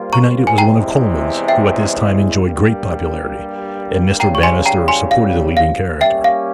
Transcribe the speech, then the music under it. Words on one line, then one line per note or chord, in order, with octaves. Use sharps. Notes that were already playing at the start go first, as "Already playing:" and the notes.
To-night it was one of Colman's, who at this time enjoyed great popularity, and Mr. Bannister supported the leading character.
Already playing: G3 A#3 F4 C5
A#5 C#6
G#5
E2 C3 E3 G#3 G5 A#5
E5 G5
G2 G3 A#3
C#3 E3 G3 G5 A#5
C#6
G#5 C6
G5 A#5
G#5 C6
F5
F5
G3 A#3 C#4 G4 E5 G5
F5